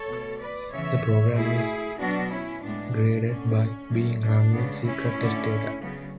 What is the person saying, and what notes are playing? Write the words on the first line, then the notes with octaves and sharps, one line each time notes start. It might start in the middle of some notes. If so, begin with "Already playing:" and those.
The program is graded by being run with secret test data.
Already playing: A4 C#5
B2 A3
B4 D5
C#3 E3 B3 C#5 E5
B2 A3 E4 G#4
B2 F#3 B3 D4 F#4
C#4 E4
A2 G#3 B3 D4
D3 A3 C#4
D3 F#3 A3
D4
C#3 G#3 B3
C#4 E4
D3 A3
C#3 F#3 B3